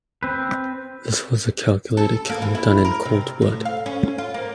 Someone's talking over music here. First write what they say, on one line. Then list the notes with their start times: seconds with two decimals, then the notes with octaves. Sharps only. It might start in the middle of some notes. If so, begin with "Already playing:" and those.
This was a calculated killing done in cold blood.
0.23 C4 B4
1.97 A4
2.29 A#3
2.42 E3
2.55 E4
2.85 A#4
3.05 C3
3.42 A2
3.65 F5
3.86 C#4
4.18 F4
4.34 A#3